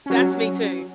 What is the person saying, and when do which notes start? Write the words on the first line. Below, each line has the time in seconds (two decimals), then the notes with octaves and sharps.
That's me too.
0.06 F#3 C#4